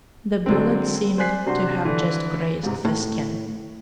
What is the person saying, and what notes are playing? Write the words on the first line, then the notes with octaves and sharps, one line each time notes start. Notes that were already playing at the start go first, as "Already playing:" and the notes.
The bullet seemed to have just grazed the skin.
D3 F#3 G#3 A3 C4
C5 D5 G#5 F#6 B6 C7
C3 D4 F#4 C5 C6
D3 E3
G#2 C3
A2